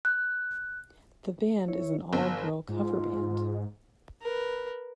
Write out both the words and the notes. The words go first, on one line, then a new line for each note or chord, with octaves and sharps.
The band is an all-girl cover band.
F#6
E4 C#5
G1 G#5 E6
G#2 F4
A#4 B4